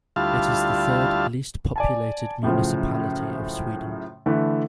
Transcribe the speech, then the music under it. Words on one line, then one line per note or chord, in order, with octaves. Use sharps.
It is the third least populated municipality of Sweden.
D2 G3 E4 F4 F5 A5
D5 G#5 A5
F#2 A2 C#3 F3
D3 E3 A3 E4 B4